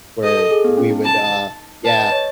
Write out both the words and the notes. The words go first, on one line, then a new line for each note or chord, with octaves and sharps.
where we would, uh yeah,
A4 D#5
A4
G#4
B3
C#4
D#4
A5
B4 A5
D#5
C#5